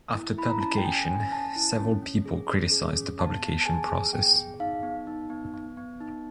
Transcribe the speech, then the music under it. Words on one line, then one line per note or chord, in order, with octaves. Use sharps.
After publication, several people criticized the publication process.
E4
E4 B5
A#5
C#4 A5
G5
C#4 G#5
C#4 G#5
C#4 A5
E4
C#4
C#4
G#4
C#4
G#4
C#4
B3 A5
B3
A5
G#4 G#5
G#4
B3 G5
G#4
D#4 F5
B3
D#4
B3
B3
B3
D#4